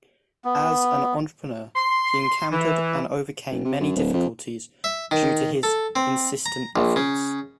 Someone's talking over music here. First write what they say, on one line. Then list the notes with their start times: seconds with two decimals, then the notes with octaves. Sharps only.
As an entrepreneur, he encountered and overcame many difficulties, due to his insistent efforts.
0.45 B3
1.75 C6
2.52 E3
3.51 F#1
3.65 C3
3.81 F#2
3.96 D1
4.14 F2
4.84 E5
5.11 D#3
5.63 A4
5.96 C4
6.46 A#5
6.76 A#1
6.96 C#3